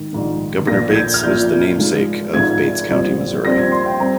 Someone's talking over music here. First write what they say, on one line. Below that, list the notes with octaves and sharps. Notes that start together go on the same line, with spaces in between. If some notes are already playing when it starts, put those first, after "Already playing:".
Governor Bates is the namesake of Bates County, Missouri.
Already playing: G#2 D#3
A#1 G#2 D#3
A#1 A#2 F3 A#3 A#6
G#6
G6
F6
A#1 A#2 F3 A#3 G6
G#1 G#2 F3 G#3
G#1 G#2 F3 G#3 G#6
A#1 A#2 G3 C4
A#1 A#2 G3 C4 A#6
G#6
C6
G5
G3 C4 A#5